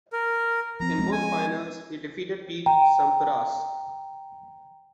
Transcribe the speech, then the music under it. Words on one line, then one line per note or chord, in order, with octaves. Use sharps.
In both finals, he defeated Pete Sampras.
A#4
F3 C4 A#5
G#3 B3 C#4
G#5
G5 A#5